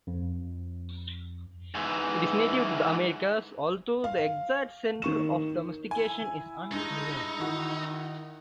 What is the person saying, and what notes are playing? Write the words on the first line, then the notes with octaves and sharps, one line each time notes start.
It is native to the Americas, although the exact center of domestication is unclear.
F2
G#2 E3
F5
D#3 C#6 E7
E4 G#5
G2 G#3 D#4
D#3 E3 F#4